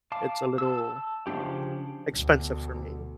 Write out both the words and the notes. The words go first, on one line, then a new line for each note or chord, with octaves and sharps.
it's a little, um, expensive for me.
F5 A5 D6
A5 E6
C#3 F3 C4 D4 G4
D2 B2